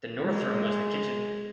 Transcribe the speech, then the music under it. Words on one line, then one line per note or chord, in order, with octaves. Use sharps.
The North room was the kitchen.
G#3